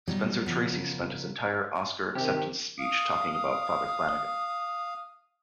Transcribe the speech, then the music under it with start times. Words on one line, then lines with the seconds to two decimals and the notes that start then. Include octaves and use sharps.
Spencer Tracy spent his entire Oscar acceptance speech talking about Father Flanagan.
0.08 B2 F#3 G3 D#4
0.46 C#3 F3 B3 A#4
2.15 C3 D#3 G4
2.79 F5 D#6